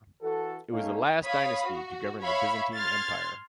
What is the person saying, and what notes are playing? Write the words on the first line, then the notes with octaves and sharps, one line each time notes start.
It was the last dynasty to govern the Byzantine Empire.
E3 F#4 A4
A3 A#3 C#4 D#4 F5
C#5 F5 B5 D#6
F#4
C#5 E5 F5 B5 C#6
C6 F6 G#6 A6